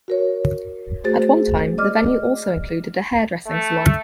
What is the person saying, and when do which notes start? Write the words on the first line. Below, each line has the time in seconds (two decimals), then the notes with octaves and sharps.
At one time, the venue also included a hairdressing salon.
0.08 F#4 A#4 C#5
1.04 A3 F#4 G#4 C5 A6
1.78 D5 D#5 D6 F6
3.46 A3